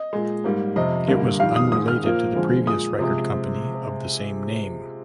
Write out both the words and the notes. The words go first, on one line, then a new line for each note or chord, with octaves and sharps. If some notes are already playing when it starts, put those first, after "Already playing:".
It was unrelated to the previous record company of the same name.
Already playing: D#5
A#2 G#3
G#2 G3 A#3
F2 C3 F3 D#5
G2 D3 G3 A#3
F2 D#3 G3 F5
D#6
G#2 D#3 G#3 D#6
F6
A#2 F3 A#3
F2 D3 F3 G#3
A#2 G#3 D#6
C3 F3 G#3